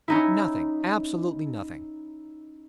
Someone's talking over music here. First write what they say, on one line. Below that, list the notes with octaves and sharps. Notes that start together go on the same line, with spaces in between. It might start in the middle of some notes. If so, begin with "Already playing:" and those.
Nothing--absolutely nothing.
C#4 D#4 E4